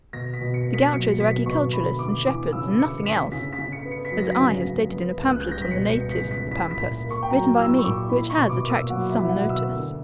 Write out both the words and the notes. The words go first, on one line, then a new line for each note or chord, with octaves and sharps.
"The Gauchos are agriculturists and shepherds, and nothing else, as I have stated in a pamphlet on the natives of the Pampas, written by me, which has attracted some notice."
B2 A#6
B6
B2
C#7
A#3
B6
F#3 C#7
B2 B6
B2 C#6
D2 B5
D2 D6
E3 D6
C#3 E6
D2 C#7
D2 B6
C#3 B6
B6
C#3
C#7
B3
C#7
B6
F#3
A#6
B6
C#3
C#3
B3
C#2
F#6
G3 G6
A#6
B6
B2 C#7
C#7
B3
B6
C#2
B6
E4 B6
B6
A#2
A#3
C#6
G5
F#3 A#5
E4 E6
C#6
A#2 D6
E4 B5
C#6
B2
D6
A#3
E6
F#3 F#5
E5
E4
F#5
B2
E6
D2